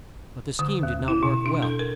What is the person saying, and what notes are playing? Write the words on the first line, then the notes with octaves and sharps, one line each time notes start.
But the scheme did not work well.
D3
D#2
E4
B2
D4
A4
A#4